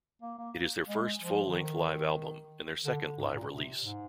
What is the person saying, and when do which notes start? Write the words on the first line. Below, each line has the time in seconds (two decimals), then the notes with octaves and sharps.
It is their first full-length live album, and their second live release.
0.22 A#3
0.39 A#3
0.88 G#3
1.21 F3
1.47 D3
1.54 D#3
2.85 D3
3.01 D3
3.18 G#2
3.35 A#2
3.51 C3
3.83 G#2